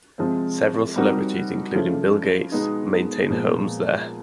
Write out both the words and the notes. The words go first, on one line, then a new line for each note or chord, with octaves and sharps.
Several celebrities, including Bill Gates, maintain homes there.
C3 F3 G#3 C4
G3 C4 D#4 F#4 A#4
C#3 F3 A3
B2 G#3 B3 D#4
A#2 F3 G#3 B3